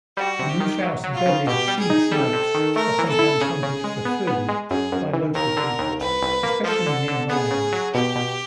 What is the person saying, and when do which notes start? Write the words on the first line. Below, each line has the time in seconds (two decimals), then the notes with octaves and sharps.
Rufous-bellied seedsnipes are sometimes hunted for food by local people, especially near mines.
0.17 G3 F#4
0.39 C3
0.49 G4
0.60 D#3
0.82 F#3
1.04 F#3
1.14 F4
1.26 C#3
1.47 B2 G4
1.68 G3
1.79 G#4
1.90 D#4
2.12 G3 A4
2.33 C3
2.54 D#3
2.76 A3 A#4
2.98 E3
3.09 A4
3.19 E4
3.41 C#3 G#4
3.63 C#3
3.84 G#3
4.05 B3
4.27 B3
4.49 G#3
4.70 F#2 G#4
4.92 F#2
5.13 E3
5.35 D#2 A#4
5.57 D3
5.78 D#2
6.00 C2 B4
6.22 C2
6.43 A#3
6.64 F3 A4
6.86 D3
7.08 D3
7.29 B3 G#4
7.51 C#3
7.72 F#3
7.94 B2 G4
8.16 B2